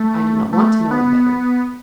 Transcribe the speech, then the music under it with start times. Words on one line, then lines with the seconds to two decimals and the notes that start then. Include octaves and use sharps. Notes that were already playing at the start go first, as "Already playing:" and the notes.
"I do not want to know him better."
Already playing: A3
0.53 A3
0.91 B3